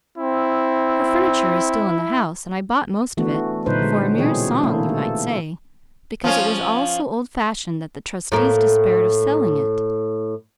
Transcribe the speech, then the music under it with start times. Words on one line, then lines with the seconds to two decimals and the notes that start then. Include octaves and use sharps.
Her furniture is still in the house, and I bought most of it--for a mere song you might say, because it was all so old-fashioned that the trustees despaired of selling it.
0.18 C4 E4
3.17 E3 A3 B3 D4 F#4
3.66 A#2 D3 F#3 D#4 B4 C5
3.79 D3 G#3
4.18 B2 E3 C4 G#4 C#5
4.63 A3 A#3 D4 E4
4.89 A4
6.24 F3 C#4
8.32 A2 A#3